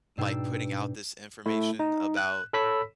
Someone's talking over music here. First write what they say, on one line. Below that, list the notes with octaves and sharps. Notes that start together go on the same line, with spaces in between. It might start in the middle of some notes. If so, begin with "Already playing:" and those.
like, putting out this information about
G#2 B2 D4 G5 E6 C7
A3 E4
D#4
F#6
A4 C#5 B5 E6 B6